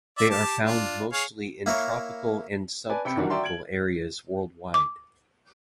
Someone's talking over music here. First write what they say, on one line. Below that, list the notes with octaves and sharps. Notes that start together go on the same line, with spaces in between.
They are found mostly in tropical and subtropical areas worldwide.
D5 E5
G4 A5
D4 F4
G#4 C#5 F5
A#3 E4 A#4 C#5
B4 D5 G#5 A5
C3 G5 B5 C#7
D#3 E3 G3 D4 F#4 A#4
F#4 D5 E5 G5 A#5 C6
G#6 D7 F#7
D6